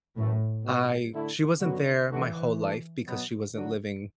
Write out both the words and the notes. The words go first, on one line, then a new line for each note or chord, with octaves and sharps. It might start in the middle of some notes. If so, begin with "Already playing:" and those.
I she wasn't there my whole life because she wasn't living
F#2 A2 E3 A3
B2 B3 F#4
D3 A3 E4
F#2 D3 F#3 B3 F#4
D3 E3 A3 F#4
E3 A3 D4
B2 F#3 B3
D3 F#3 D4 F#4